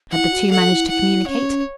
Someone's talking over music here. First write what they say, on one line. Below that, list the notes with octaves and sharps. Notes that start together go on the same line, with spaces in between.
Had the two managed to communicate?
E4 F#5
F#4
A4 F#5
E4
E4 F#5
C#4 C#5